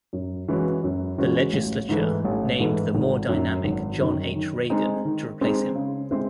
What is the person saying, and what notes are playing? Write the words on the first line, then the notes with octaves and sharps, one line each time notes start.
The legislature named the more dynamic John H. Reagan to replace him.
F#2
E3 G#3 C#4 F#4
F#2
E3 G#3 C#4 F#4
A1
G#2 E3 A3
A1
G#2 E3 A3
G#1
F#2 D#3
G#1
F#2 D#3
D#3
G#3 C4 D#4 G#4
D#3
G#3 C4 D#4 G#4
C#3
G#3 C4 E4 C5